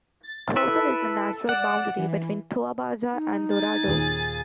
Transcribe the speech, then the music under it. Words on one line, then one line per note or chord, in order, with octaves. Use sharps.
Cocal is the natural boundary between Toa Baja and Dorado.
A6
E4 A4 B4 E5
D5 F#5 E7
E3
D#4
G#5 A6
D#2 A#2 G#4